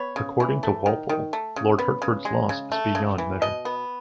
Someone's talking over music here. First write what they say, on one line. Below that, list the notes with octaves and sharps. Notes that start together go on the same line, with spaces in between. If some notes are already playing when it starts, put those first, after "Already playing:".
According to Walpole, Lord Hertford's loss is beyond measure.
Already playing: B3 C#5
C#3
E3
A3
D#3
D#3
A3
C#3
B3
C#3
G#3
C#3
A3
C#3
E3
B2 D#5
B3